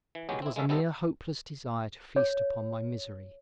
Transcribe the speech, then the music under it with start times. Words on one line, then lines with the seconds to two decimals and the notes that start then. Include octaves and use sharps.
It was a mere hopeless desire to feast upon my misery.
0.15 E3
0.29 F#3 G#3 B3 C#4 G4
0.42 C4 E4
0.56 G#3 A#3 C#4 A4 E5 F5
0.69 C3 G3 B3 C4 D#4 A4
2.16 C#5